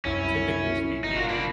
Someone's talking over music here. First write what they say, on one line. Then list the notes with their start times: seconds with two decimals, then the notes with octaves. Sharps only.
typically speaking,
0.05 C2 F#2 C#4 E4
1.04 G1 D#4
1.16 F4 F#4 A#4 F5
1.28 A#3 D4 B5